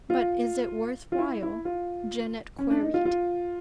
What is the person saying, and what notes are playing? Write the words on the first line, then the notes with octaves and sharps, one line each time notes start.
"But is it worth while?" Janet queried.
F4
F4
E4
E4
F4
C#4
D4
D#4
F4
F4